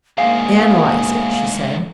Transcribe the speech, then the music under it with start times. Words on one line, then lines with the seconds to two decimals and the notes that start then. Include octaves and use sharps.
"Analyse it," she said.
0.18 D2 G#2 A#3 G#4 F5